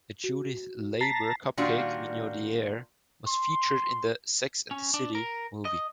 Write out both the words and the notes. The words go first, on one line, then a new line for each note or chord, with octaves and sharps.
A Judith Leiber cupcake minaudiere was featured in the "Sex and the City" movie.
F#4
A5 A#5 B6 C7
A#2 D#3 G3 D4 F4 F#4
C6
C#4
D4
A#4
D#5